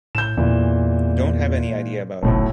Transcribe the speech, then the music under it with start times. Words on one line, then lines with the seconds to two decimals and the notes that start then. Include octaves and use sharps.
Don't have any idea about it.
0.15 A2 G6 E7
0.37 E2 A#2 E3
2.23 F#1 B1 A2